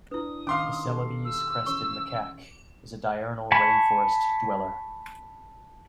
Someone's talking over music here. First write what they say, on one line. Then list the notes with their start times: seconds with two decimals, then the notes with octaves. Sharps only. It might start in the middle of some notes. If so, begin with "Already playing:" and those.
The Celebes crested macaque is a diurnal rain forest dweller.
0.11 D4 E4 B4 D#6
0.47 D#3 C#4 D#4 F5 C6 D6
0.85 B2 G4 A4
1.25 E6
1.66 E3 C#4 C#5 C#6
3.52 G#5 A5 B5 C#6